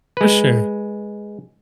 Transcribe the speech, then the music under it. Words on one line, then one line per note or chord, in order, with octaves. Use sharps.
For sure.
G#3 B4